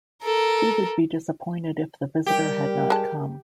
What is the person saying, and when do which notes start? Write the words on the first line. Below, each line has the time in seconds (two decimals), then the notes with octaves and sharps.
He would be disappointed if the visitor had not come.
0.23 A4 A#4
2.26 G3 G4 A#4
2.90 G#3 A5